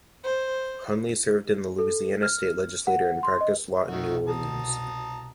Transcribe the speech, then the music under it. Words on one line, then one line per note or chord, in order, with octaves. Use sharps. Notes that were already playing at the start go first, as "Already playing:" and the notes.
Hunley served in the Louisiana State Legislature and practiced law in New Orleans.
C5
A4
F6
F#5
C6
D#5
C2 B2 D#3 A3 F#4
A5 A#5 D#6